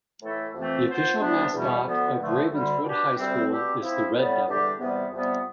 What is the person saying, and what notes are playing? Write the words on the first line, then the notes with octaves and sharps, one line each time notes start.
The official mascot of Ravenswood High School is the Red Devil.
A2 E3 A3 E4 A4
F2 C3 E3 A3 C4
F3 B3 F4 C5
D2 C3 G3 B3 D4
E2 B2 G3
D2 D3 F3 B3
G2 D3 F3 A3
D2 D3 G3
B2 G3 D4 G4
D2 C3 G3 C4
B2 G3 C4 G4
C3 F3 C4 E4
A2 G3 B3
E2 D3 G3 D4 G4
E2 C3 G3 B3
F2 C3 G3 B3